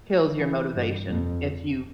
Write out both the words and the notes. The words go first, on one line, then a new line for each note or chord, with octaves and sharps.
kills your motivation if you
E3
G2
F2